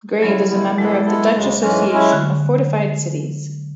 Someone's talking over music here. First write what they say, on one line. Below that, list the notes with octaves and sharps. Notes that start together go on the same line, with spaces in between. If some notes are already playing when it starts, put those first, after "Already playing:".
Grave is a member of the Dutch Association of Fortified Cities.
C#3 F#3 G#3 C#4 E4
D3 G#3 B3 E4
A2 E3 G#3 B3 E4 A4
G#3
G#3 B3 E4 A4
D2 C#3 G#3
G#2 E3 F#3 G#3 C#4
G#3 C#4 E4
D3